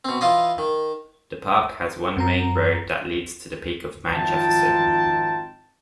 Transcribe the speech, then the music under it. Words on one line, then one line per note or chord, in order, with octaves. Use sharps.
The park has one main road that leads to the peak of Mount Jefferson.
B2 C4
E3 F4 C5 D5 D#5
D#3
F#2 C4 A#5
G#1 F2 D#4 F4 G5 A5